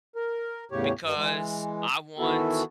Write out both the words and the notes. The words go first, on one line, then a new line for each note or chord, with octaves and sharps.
because I want"
A#4
E2 A2 C#3 G4 C#5
G2
E3 G#3
D#3 E3 B3 E4 F#4 A4